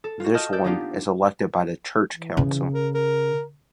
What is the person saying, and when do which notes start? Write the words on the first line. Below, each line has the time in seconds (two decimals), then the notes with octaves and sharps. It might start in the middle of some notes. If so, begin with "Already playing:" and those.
This one is elected by the Church Council.
0.04 A4
0.20 F4 F#4
0.34 D#5 A5 E6 F6 G6
0.52 D5 E6 G6
0.64 A#3 B3 D4 D#4 F4 G4
2.12 E3
2.37 C#3
2.74 A#4
2.95 A#4